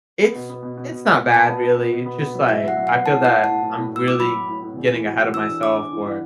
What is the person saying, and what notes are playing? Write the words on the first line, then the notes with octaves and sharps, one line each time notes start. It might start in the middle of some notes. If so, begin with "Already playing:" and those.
it's it's not bad, really, it's just, like, I feel that I'm really getting ahead of myself, or
B3
B2
B3
B2
B2
B2
B2
B2
B3 A5
B3
B3
B3
B2
B3
B3
F#3
A2 E5
F#3
F#5
F#3
F#5
B3
A2 A5
A2
F#5
A2
A5
A2
A2
A2
A2 E6
A2 D6
F#3 B5
F#3
A2
A2
E2
E3
F#4
F#4
E3 E6
D4
D4 D6
D4
E3
E3